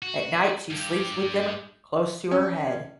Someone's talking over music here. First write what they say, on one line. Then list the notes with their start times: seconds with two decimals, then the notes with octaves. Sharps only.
At night she sleeps with them close to her head.
0.02 F#4
0.71 G2 G4
2.31 C#4